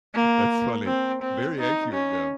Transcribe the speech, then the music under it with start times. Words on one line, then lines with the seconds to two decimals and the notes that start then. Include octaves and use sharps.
That's funny. Very accurate, though.
0.15 A#3
0.86 C4
1.22 C4
1.58 D#4
1.93 C#4